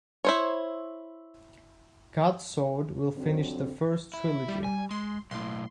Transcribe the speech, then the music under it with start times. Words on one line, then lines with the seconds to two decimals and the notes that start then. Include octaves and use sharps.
God-Sword will finish the first trilogy.
0.25 E4 C5 C#5
3.17 F2 D3 F#3 C4
4.14 E4
4.48 G3
4.64 G#5
4.91 G#3 C6
5.31 B1 A2 C6